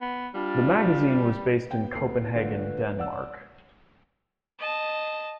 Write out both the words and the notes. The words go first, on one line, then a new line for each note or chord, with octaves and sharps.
The magazine was based in Copenhagen, Denmark.
B3
G3 D4 F4
B3 G5
D2 C7
D3 F3 A3 B4
D5 F#5 E6
D#5 A5